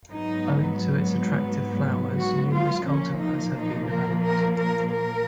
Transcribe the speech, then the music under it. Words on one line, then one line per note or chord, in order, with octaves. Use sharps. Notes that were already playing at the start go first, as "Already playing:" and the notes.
Owing to its attractive flowers, numerous cultivars have been developed.
G#2 F#3 B3 D#4
F#4
F4
A#2 F3 A#3 C#4
D#4
D#4
A#4
A#4
A#4
A#4